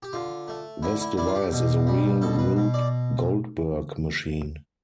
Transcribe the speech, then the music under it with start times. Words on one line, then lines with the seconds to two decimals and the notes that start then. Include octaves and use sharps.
This device is a real Rube Goldberg machine.
0.03 G4
0.13 D3 F4
0.48 A3
0.83 D3 E4
1.00 E4
1.17 D4 E4
1.27 F4
1.35 G4
1.52 B2
1.87 G3
2.21 B2 A4
2.39 B4
2.56 B2
2.74 D5